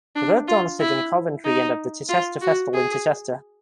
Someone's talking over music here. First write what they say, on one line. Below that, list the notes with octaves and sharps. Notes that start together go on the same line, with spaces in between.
He worked onstage in Coventry and at the Chichester Festival in Chichester.
D4
F4
E4
D#4
F4
F#4
G#4